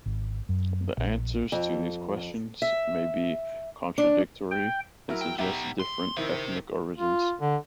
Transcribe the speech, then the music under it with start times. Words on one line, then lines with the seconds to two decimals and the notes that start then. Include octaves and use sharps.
The answers to these questions may be contradictory and suggest different ethnic origins.
0.06 G#1
0.49 F#2
0.98 A#1
1.52 F2
2.62 E5
3.98 D4
4.51 G5
5.09 F#3 E4 A#4
5.21 G5
5.38 B3 D#4 G4 E5
5.79 C6
6.17 D#3 E4 G4 C5
6.98 F4
7.41 D3